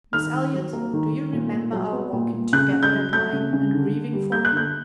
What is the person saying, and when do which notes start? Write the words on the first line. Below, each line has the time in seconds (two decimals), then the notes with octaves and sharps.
Miss Elliot, do you remember our walking together at Lyme, and grieving for him?
0.13 D#3 F6
0.34 D#3
0.53 F#3
0.73 A#3
0.93 D#3
1.13 D#3
1.33 A#2
1.53 A#2
1.73 F#3
1.92 B3
2.13 A#2
2.33 A#2
2.53 C#3 F#6
2.73 C#3
2.83 G6
2.93 F#3
3.13 A3 G6
3.33 C#3
3.53 C#3
3.73 D3
3.93 D3
4.13 G3
4.32 A#3 G6
4.45 F#6
4.52 D3 G6